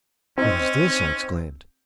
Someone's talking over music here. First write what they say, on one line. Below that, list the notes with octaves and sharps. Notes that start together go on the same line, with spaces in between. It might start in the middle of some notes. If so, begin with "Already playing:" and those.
"What is this?" I exclaimed.
C4 C#4 D#4